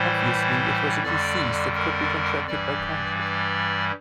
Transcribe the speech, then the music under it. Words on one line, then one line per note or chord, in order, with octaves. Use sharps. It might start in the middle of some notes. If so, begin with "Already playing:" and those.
Obviously, it was a disease that could be contracted by contact.
Already playing: A2 E3 G3 C5
F2 D3 G3 D5
A#4
G2 E3 G3 D5
D5